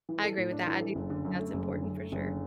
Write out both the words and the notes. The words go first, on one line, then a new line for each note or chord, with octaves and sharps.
I agree with that, I do that's important for sure.
E3
A4
A2
D4
E3
A4
F#1
D3
F#2
A3
F#1
D3
F#2
A3
F#1
D3